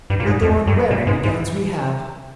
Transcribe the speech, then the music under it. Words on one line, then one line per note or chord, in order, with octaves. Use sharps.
We'll go on wearing the gowns we have.
G2
A#2
G#2
F2
G2
A#2
G#2
G#2